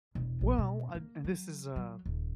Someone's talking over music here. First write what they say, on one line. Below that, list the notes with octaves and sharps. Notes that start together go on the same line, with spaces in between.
Well, I and this is a
E1
A#1
B2
A#3
F#3
F#3
D#1